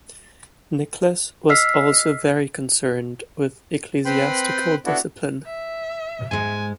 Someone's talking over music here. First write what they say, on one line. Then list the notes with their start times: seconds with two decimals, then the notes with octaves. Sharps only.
Nicholas was also very concerned with ecclesiastical discipline.
1.49 D#5 E6 F6 B6 C7
4.05 C4 B4 G5 B5 C6
4.86 B3 D4 E4 F#4 A4
5.46 E5
6.31 G#2 G#3 G#5